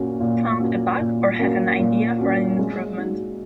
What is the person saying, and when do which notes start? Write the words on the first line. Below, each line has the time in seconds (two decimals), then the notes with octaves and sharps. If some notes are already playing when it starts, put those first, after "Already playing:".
Found a bug, or have an idea for an improvement?
Already playing: A#2 A#3 C#4 F#4
0.20 A#2
0.60 A#3 C#4 F#4
1.00 A#2
1.39 A#3 C#4 F#4
1.79 A#2
2.19 A#3 C#4 F#4
2.59 G#3
2.98 D#4
3.03 F#4